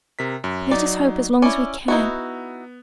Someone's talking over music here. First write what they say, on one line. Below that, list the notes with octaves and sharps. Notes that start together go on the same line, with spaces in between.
'Let us hope as long as we can.
C3 A#4 B6
F#2
F#3 D#4 D5
C#4 E4 D5 D6
B3 D#4 E4 F#4